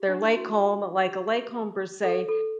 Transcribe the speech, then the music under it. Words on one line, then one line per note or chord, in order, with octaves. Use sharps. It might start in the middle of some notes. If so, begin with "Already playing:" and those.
their lake home like a lake home per se,
Already playing: G4
D4
E4
F#4
G4
A4
A4